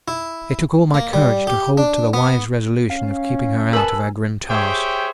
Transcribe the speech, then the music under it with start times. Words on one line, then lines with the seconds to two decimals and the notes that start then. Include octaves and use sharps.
It took all my courage to hold to the wise resolution of keeping her out of our grim task.
0.08 E4
0.94 A#3
1.13 G3
1.47 G4
1.78 D4
2.14 B3
2.90 C#4 F5
3.73 A#4 B4 G#5 A5 E6
4.49 G4 G#4 C5 C#5 E5 G5